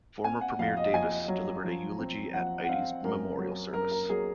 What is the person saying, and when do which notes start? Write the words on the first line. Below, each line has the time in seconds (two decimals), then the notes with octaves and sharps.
Former Premier Davis delivered a eulogy at Ide's memorial service.
0.24 C4 G#5
0.41 F#5
0.59 F2 F5
0.77 D#5
0.93 F2 G#5
1.28 F#3
1.64 F3
1.99 C4
2.34 F3 F#5
2.64 F#5
2.69 C4 F5
3.04 F#2 A#4
3.39 F#3
3.73 F#2 A#4
3.91 A#4
4.09 F#3 G#4